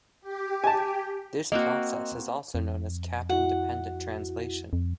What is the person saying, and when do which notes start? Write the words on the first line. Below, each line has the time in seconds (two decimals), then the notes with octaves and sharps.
This process is also known as cap-independent translation.
0.22 G4
0.64 G#5 A5
1.52 A#3 C4 F#4 D#5
2.55 F2
3.29 E4 F#4 F#5
4.73 F2